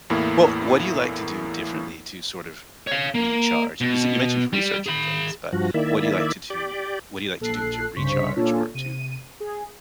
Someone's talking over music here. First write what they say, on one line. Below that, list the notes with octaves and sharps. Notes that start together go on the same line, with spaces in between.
Well, what do you like to do differently to sort of, like, recharge? You you sai you mentioned researching things, but what do you like to do what do you like to do to recharge or to
E2 A2 A#3 E4
C#5 F5
A#3
B2
G3
G#4 B5
G2 F3 F#4
D#3 A#3 E4 D5 E5
G4 D5
A#1 A4 F#6 C7
C2 G2 C#3 C5 C#6 B6
A#2 A#3 C#4 D4 F4 A4
C3 D#7
G#4